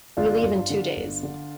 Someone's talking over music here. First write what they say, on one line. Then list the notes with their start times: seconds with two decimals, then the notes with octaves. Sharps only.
We leave in two days.
0.17 G1 D4 F4
0.43 G2
0.70 D3
0.96 G1
1.23 D3